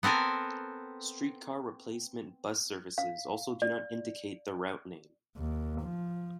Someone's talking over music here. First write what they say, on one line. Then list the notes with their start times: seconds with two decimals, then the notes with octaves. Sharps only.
Streetcar-replacement bus services also do not indicate the route name.
0.03 B3 C4 A4 A#4 G#5
2.98 F5
3.62 D5
5.37 D#2
5.82 F3